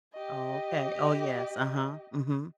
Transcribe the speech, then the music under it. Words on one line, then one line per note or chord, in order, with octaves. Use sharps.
Oh okay oh, yes, uh-huh, mhm.
G4 D#5